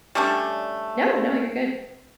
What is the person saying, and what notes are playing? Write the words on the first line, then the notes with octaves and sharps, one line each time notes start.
No, no, you're good.
G3 A3 C#4 D4